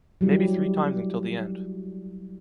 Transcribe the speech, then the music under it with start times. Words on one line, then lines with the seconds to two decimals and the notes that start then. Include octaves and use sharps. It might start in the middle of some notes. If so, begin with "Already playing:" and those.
Maybe three times until the end.
0.21 F#3 G3 E4